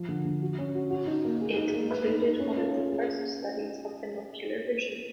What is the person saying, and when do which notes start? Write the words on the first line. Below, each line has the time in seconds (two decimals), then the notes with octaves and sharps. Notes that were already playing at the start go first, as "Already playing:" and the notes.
It included one of the first studies of binocular vision.
Already playing: F3
0.09 D3
0.26 D3
0.42 F#4
0.59 C#4
0.75 F#4
0.90 F#4
1.07 D#4
1.25 A#3
1.41 G#4
1.58 D#4
1.74 A#3
1.91 B4
2.08 D#4
2.23 D#4
2.40 C#4
2.57 F4
2.73 C#4
2.89 G#4